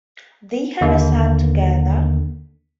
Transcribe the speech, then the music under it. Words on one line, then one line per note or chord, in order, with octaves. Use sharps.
They have a son together.
D#2 D3 A#3